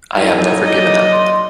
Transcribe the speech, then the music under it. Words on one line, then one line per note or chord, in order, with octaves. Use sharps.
I have never given up.
F#3 A#3 D#4 E4 A4 G#5
D5 D#5
C6